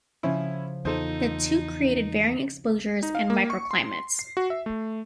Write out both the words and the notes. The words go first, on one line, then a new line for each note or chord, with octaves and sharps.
The two created varying exposures and microclimates.
C#3 F3 C#4 E4
E2 F3 D#4 A4 C5 D#6
D#4
F5
A#3
C#6
C6
C7
F#4
E5
A3